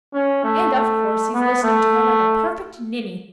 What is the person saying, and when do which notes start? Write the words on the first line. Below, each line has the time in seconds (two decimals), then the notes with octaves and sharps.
And of course he's listening to her like a perfect ninny.
0.14 C#4
0.44 A3
0.74 A3
1.34 B3
1.63 A3